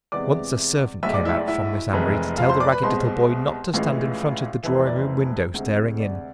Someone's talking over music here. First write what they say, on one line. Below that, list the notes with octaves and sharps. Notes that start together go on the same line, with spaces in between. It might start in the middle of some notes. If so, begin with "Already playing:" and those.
Once a servant came out from Miss Amory to tell the ragged little boy not to stand in front of the drawing-room window staring in.
E2 C3 E3 G#3 D5 D6
B1 A2 G#3 E5 E6
D5 D6
E4 E5
D5
E4 E5
F1 F2 E3 G#3
F4 F5
C5 C6
D5 D6
B4 B5
C2 B2 G#3 C5 C6
A1 A2 E3 G#3 F4 F5
F1 F2 E3
C5
D5
C5
D2 C3 G#3
D5